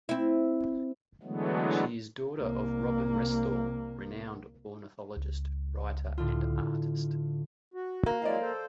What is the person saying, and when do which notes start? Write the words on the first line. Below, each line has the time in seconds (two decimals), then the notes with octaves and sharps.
She is daughter of Robin Restall, renowned ornithologist, writer and artist.
0.09 C4 E4
1.23 D3 E3 F#3 G#3 A3 B3
2.39 C2 A#3
5.17 C#2
6.18 A2 D3 F4
7.74 F#4
8.06 A#3
8.22 F#3 G#3 E4 D5 D#5 F5
8.40 A4 C5